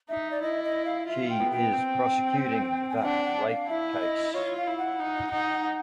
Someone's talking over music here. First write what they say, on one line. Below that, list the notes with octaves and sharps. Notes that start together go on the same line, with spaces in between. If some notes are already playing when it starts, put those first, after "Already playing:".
She is prosecuting the rape case.
D#4 E5
D5
E4 D#5
D#5
F5
F4 E5
G5
B3
G5
C4
G#5
G5
D4 F#5
F#5
F5
E4 E5
E5
D#5
F4 C#5
F5
E4
F#5
D#4
D#4